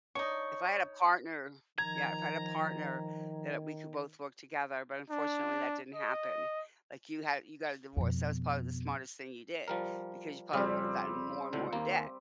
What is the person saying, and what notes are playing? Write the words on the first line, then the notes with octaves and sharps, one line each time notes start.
If I had a partner Yeah, if I had a partner, that, uh, we could both work together, but unfortunately that didn't happen. Like, you had you got a divorce, that was probably the smartest thing you did, because you probably would have gotten more and more in debt,
D4 D#4 C#5 C#6
D#3 F3 A#5 G#6
D4
D#5
F2 B2
F3 G3 A#4
F2 C#3 G3 C4
C#2 A2 D3
D#2 A#3